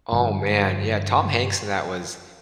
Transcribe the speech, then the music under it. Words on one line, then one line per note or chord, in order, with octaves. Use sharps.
Oh, man, yeah, Tom Hanks in that was
G2 D3 F3